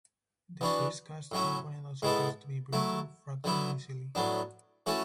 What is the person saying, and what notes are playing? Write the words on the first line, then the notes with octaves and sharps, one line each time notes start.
The freeze-cast component also tends to be brittle, fracturing easily.
E3 B3 D4 F#4
A2 F#3 C#4 E4
A2 G#3 B3 E4 A4
F#3 A3 E4
D3 F#3 B3 E4
A2 F#3 B3 D4
E3 A3 C#4 F#4 A4